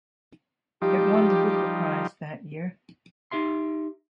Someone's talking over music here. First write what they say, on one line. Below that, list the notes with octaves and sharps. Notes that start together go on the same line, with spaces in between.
It won the Booker Prize that year.
F3 G3 D#4 G4
D#4 G4 E5 C6